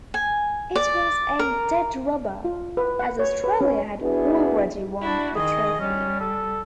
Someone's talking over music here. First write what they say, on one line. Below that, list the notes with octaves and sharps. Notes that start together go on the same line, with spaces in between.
It was a dead rubber as Australia had already won the Trophy.
G#5
D5
A#4
F4
B4
F#5
C#5
B4
C#4
B3 D4 E4 F#4 G#4 B4
D4 E4 F#4
D#3 G#4 D#5
G3 C#4
A4